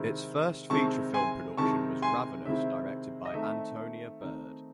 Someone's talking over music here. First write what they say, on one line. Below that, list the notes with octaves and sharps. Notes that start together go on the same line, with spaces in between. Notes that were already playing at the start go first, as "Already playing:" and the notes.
Its first feature film production was "Ravenous", directed by Antonia Bird.
Already playing: C3 D#3 G#3 C4 E4
C3 D#3 G#3 C4 E4 A5 C#6
G#5 C6
C3 D#3 G#3 C4 E4 A5 C#6
G#5 C6
C3 D#3 G#3 C4 E4 E5
D#5
D#3 A3 C4 D#4 E5
D#3 A3 C4 D#4